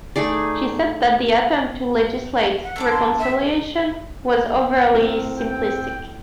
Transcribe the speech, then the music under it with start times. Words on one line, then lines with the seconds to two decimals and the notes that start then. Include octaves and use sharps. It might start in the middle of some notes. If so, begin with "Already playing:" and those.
She said that the attempt to legislate reconciliation was overly simplistic.
0.16 A3 D#4 G#4 D5
2.63 F#5
2.76 A3 D4 D6
2.90 C6
3.19 E5
4.95 A2 A3 C4 A#4
5.39 G5